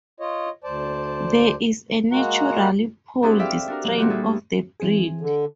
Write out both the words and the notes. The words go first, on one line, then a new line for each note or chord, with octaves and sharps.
There is a naturally polled strain of the breed.
F4 C#5 D#5
D2 C5 D5 A5
G#3 A#3 F#4 F#5 A#5
C4 D4 E4 F#4 G#4 A4
G4 D5 E5 F5 G5
D4 F#4 A#4
E3 F#3 A#3
A#2 F#4 G4
G3 A#3 G#4 A4
E3 C4 G#4
D3